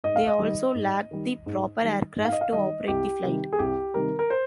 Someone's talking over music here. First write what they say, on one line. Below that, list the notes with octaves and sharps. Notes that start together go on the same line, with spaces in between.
They also lacked the proper aircraft to operate the flight.
G#2 D#5
F5
D#5
D#3 G3
G#2
D#3 G3
G#2
D#3 G3
G#2
F5
D#5
F5
D#3 G3 D#5
C2 G4
C3 D#3 G3
G#4
C2 G4
C3 D#3 G3 A#4
A#4
C5